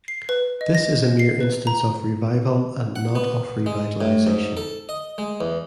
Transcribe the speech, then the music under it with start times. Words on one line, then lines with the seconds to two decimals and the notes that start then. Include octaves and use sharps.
This is a mere instance of revival and not of revitalization.
0.08 C7
0.29 B4
0.61 D#5
0.75 A#6
1.19 C7
1.40 B4
1.67 A#5
2.96 F#5
3.15 B3
3.66 G#3
4.01 A2
4.27 G#2
4.57 A4
4.89 D#5
5.18 G#3
5.41 E2